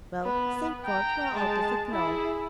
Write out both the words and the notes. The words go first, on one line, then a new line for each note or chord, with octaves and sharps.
"Well, thank God you're out of it now!"
B3 B4
G5 A#5
G#3 A5
E4 G#4